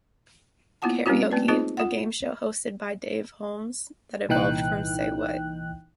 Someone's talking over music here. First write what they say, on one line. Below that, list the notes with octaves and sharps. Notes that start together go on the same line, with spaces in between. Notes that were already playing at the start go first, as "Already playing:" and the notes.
Karaoke", a game show hosted by Dave Holmes that evolved from "Say What?
A#3 B3 E4 F4 F#5 A5
G3 A#3 C4 C#4 E4 F#4
A3 A#3 C4 B4 D5
C4 D#4 F4 G#4 C5 D#5
F4 F#5
C2 A#2 E3 D#4 G5 F#6